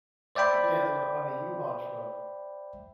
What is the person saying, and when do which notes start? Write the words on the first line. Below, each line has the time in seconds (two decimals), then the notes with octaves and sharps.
Yes, on on a U-Haul truck,
0.35 C5 D5 E5 G5 B5